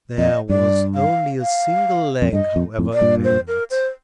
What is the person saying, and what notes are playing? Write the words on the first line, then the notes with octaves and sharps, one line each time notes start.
There was only a single leg, however, apparent.
F2 D#5
G2 D5
F5
F5
F2
G2 D#5
F2
F2 A2
D5
G2 A#2
C5
A#4
C5